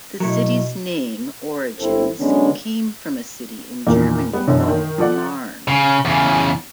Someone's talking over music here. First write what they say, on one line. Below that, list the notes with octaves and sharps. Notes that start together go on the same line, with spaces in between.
The city's name origins came from a city in Germany called Marne.
B2 F#3 A3 E4
G1 C4 E4 A4
D3 F#3 G#3 B3 C#4 D4
E2 A#2 D#3 A#3
G3 B3
F#2 B2 D3 E3 C#4
D#3
F3 A4 D5 F#5
C#3
E2 C#3